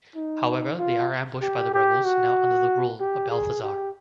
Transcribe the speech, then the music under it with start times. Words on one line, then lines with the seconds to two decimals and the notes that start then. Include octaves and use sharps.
However, they are ambushed by the rebels, now under the rule of Balthazar.
0.15 D#4
0.79 F4
1.41 G4
1.73 G4
2.05 F#4
3.00 G4
3.30 G#4
3.62 G4